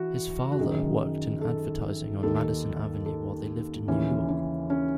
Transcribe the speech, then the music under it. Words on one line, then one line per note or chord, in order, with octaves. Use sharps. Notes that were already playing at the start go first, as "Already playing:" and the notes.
His father worked in advertising on Madison Avenue while they lived in New York.
Already playing: E3 F#4
F#4
F#2 D#3 G#4
A4
D#2 D#3 A4
A4
D#2 C#3 E3 C#4
C#4
C#4